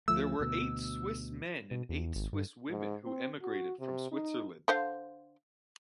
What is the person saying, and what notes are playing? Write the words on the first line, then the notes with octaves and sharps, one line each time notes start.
There were eight Swiss men and eight Swiss women who emigrated from Switzerland.
D2 F3 A3 E6
D2 B2
B2
E2
G#1
G2
G#2
C4
F#4
C3
D#4
D3 C5 F5